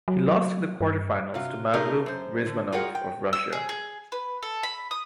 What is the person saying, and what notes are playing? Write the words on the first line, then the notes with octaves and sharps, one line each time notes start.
He lost in the quarterfinals to Mavlud Rizmanov of Russia.
F#3
G2
C3 F4 F#4
A3 D#4 F4 G4 G#4 A#4
F#2 C5
D3
F4 F#4 G#4 A#4 F#5 G5
G5
E6
G#4
G#4
B4
A4
B5
D#6